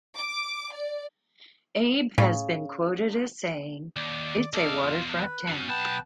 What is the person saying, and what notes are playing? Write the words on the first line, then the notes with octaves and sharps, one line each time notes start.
Abe had been quoted as saying, It's a waterfront town.
D6
D5
A2 C#3
D#2 D5
E2 A4 D5 D#5 F5
F4
B4
C#4 F#4
B1 B3 G5 A5 F#6